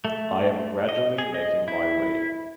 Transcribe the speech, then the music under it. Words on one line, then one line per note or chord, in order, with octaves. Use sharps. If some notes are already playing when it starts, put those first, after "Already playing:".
I am gradually making my way.
A3
D#5
G#4
D#5
E4